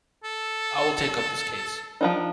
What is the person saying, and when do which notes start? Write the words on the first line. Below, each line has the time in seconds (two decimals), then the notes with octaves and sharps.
I will take up this case.
0.24 A4
2.01 F3 D4 D#4